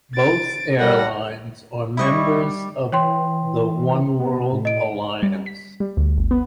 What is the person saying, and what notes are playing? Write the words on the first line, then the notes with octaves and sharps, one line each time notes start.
Both airlines are members of the Oneworld alliance.
A6 D7
A2 G3 A#4 F#5 A#6
G3 E4 D#5 C#6
E3 C#5 G5 C6
B3
A2
D#5 D7
G3
B6
G3
D2
G1
B3